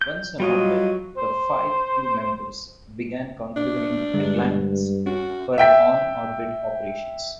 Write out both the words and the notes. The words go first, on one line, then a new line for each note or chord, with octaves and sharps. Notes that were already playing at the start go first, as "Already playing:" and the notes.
Once on orbit, the five crew members began configuring "Atlantis" for on-orbit operations.
G6
F#3 G3 F4 D#5
C5
D4
G2 D3 G#3
C#4 F#4
E5 G5 B6